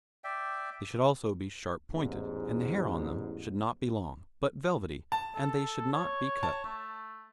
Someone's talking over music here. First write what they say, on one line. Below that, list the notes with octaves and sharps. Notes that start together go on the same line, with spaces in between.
They should also be sharp pointed, and the hair on them should not be long, but velvety, and they should not be cut.
D5 E5 G5
A1 E2 G#2
A5
A4
C#5
A5
A3